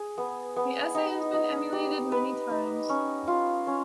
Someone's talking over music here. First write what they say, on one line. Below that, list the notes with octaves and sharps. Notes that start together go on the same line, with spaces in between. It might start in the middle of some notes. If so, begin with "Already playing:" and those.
The essay has been emulated many times.
Already playing: G#4
B3
B3
D#4
D#4
G4
B4
D#4
C#4
F4
C#4